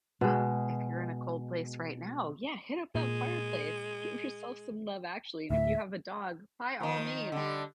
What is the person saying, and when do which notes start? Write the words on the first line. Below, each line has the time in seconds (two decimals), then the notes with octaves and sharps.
um, if you're in a cold place right now, yeah, hit up that fireplace, give yourself some Love Actually, and if you have a dog, by all means,
0.21 B2 G#3
2.95 A#2 G#3
5.51 D2 A2 E5
6.80 D#3 F3
7.32 D3 G3